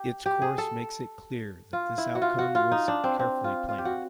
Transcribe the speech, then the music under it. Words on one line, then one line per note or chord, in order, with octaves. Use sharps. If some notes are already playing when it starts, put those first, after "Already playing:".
Its course makes it clear that this outcome was carefully planned.
Already playing: G4
G4
G#4
A4
F4
E4
F#4
F4
F#4
F4
D#4
D4
C4
C4
F4
F4
G4
F#4